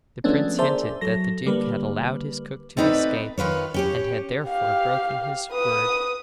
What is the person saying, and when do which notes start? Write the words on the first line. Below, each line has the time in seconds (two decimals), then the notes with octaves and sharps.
The prince hinted that the duke had allowed his cook to escape, and had therefore broken his word.
0.24 F3 G#3 A3 B3 C#4 D4
0.58 G#4 A#4 C5 D5 E5 A5
1.01 F#3 A4 A#6
1.46 D3 G3 A#3 B4
2.77 A3 C4 D#4 B4 D5
3.38 D#3 F4 B4 C#5
3.74 C#4 G4 C#5
4.47 G4 F5
5.52 B4 D#6